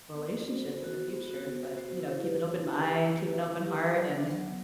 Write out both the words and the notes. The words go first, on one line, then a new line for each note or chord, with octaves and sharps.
relationship in the future, but, you know keep an open mind, keep an open heart, and,
B3
F#4 C5
B3
F#4 C5
B3
F#4 C5
B3
F#4 C5
E4
G4 B4
E4
G4 B4
E4
G4 B4
E4
G4 B4
F#3
B3 D4
F#3